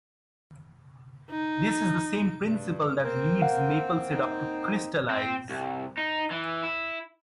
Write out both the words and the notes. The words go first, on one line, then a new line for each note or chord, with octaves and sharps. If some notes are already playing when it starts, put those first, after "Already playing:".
This is the same principle that leads maple syrup to crystallize.
D#4
G2
A#3 C4 A#4
F5 F#5
D#4
C4
C2
D#4
E3
E4